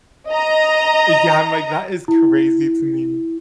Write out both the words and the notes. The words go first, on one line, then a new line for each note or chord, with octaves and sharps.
Eh, yeah, I'm like that is crazy to me.
D#5 A#5
E4